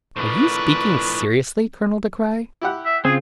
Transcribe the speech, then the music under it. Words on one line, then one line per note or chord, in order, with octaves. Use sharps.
"Are you speaking seriously, Colonel De Craye?"
A2 F3 D4 A#4 B4 C#6
E4 G4 F#5
E5
C#3 C4 F4 G#4